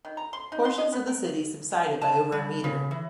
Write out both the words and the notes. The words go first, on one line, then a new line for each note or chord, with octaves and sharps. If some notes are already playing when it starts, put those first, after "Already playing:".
Portions of the city subsided by over a meter.
D#3
A#5
C6
D#4
C6
D#5
B3
A#4
A5
G3
C#3
E3